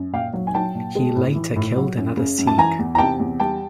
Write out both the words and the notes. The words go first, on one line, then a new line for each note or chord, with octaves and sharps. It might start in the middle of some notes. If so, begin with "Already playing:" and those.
He later killed another Sikh.
Already playing: F#2
A#2 F5 G5
F#3
G#5
F#3 G5 A5
A#2
G#3
A2
E3
A2
F#3
F#2
C#3
F#2
A5
E3 G#5 A#5
E2
A#5
C3 G5 A5
E2
G3 G5 A5